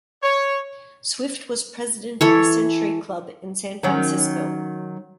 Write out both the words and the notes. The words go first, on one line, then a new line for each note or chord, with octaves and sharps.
Swift was president of the Century Club in San Francisco.
C#5
E3 A4 C#5
D#3 F#3 C#4